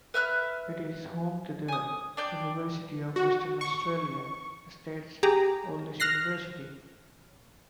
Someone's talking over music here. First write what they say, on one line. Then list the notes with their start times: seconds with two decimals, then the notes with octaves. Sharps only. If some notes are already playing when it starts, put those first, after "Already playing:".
It is home to the University of Western Australia, the state's oldest university.
0.14 B4 E5 F6 F#6
1.68 G#5 D#6
2.17 D4 D5 G5 D6
3.16 F#4
3.61 C#6
5.23 G4 G#4 A#5
6.00 F6 F#6 A#6 C7